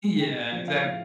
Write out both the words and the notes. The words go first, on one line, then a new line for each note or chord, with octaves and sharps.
Yeah, exactly.
A2 G5
F3 A3
F5
A2